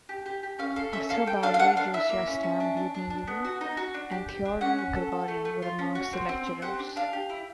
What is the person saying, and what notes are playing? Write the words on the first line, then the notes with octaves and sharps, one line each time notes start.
Arthur Bowley, Josiah Stamp, Udny Yule, and Theodore Gregory were amongst the lecturers.
G4
G4
G4
C#4 F5
A4 F5
C#4 E5
A4 F5
A4 G5
D4 F5
F5
D4 F#5
D4 F5
E4 E5
A#3
C#4
C#4
D4
D4
D4
D4
B3
F#4
D#4
F#4
D4
G4
G4
D4
C#4 F#5
C#4
A4
A4
A3
A3
F4
C#4
F#4
C4
C4
C4
G4 F#5
D4
D4 F5
G4
E4